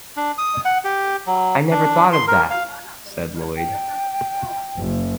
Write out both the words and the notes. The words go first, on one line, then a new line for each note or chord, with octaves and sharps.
"I never thought of that," said Lloyd.
D4
D#6
F#5
G4
F#3
D4
C6
A#4
F5
G5
F#1